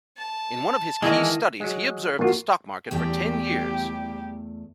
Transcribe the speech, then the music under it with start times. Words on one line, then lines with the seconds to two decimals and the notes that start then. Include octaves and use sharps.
In one of his key studies, he observed the stock market for ten years.
0.17 A5
1.02 D#3 E3 G#3 A#3 E4 D#5
1.60 F#3 G#3
2.19 F2 A#3 F4 F#4
2.91 E2 G3 A3 G4 G5